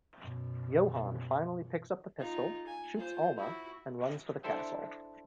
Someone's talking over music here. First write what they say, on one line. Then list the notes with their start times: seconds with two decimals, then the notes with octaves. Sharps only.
Johan finally picks up the pistol, shoots Alma and runs to the castle.
0.17 F#2 B2
2.19 D#4 F4
2.67 G#5
2.96 F4 C5
3.37 E4 F#4
4.43 D4 E4 A4 C5 E5 G5